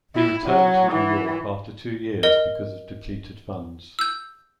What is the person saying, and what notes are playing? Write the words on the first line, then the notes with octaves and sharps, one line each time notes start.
He returned to New York after two years because of depleted funds.
E4
F#3
E3
A#4 D#5
E6 G6